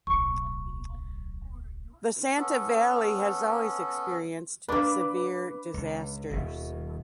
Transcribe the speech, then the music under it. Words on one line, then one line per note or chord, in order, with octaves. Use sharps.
The Santa Valley has always experienced severe disasters.
D1 B1 C#6
B3 C#4 A4
A#3 D4 B4 D6
C#2
D#1 G#1 B2